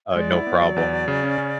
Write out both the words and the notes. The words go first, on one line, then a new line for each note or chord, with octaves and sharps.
uh, no problem,
C#5
G#3 D5
E4
B3
F#3
E2
F#3
C#3
C#4
C#3